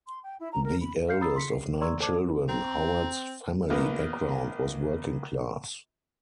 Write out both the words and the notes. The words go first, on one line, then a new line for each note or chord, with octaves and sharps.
The eldest of nine children, Howard's family background was working class.
C6
G5
E4
A#5
A#4
B5
F5 F6 G6 C7 C#7
A#5 B5 D#6 E6 A6 C7
C6 B6 C#7
C7
D5 A#5 C6 C#6 E6 G#6
A4 C5 D5 A5 D6 G#6
C4 A#5
A#1 A#3 B3